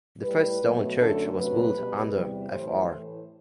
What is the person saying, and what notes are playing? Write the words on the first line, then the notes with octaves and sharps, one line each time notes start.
The first stone church was built under Fr.
A2 G3 B4
B2 F#3 A3
F#2 D3 A3 A4
D2 C3 F#3 A3 B4
B2 G3
E2 C3 G3
A2 E3 G3 C5
A2 E3 A3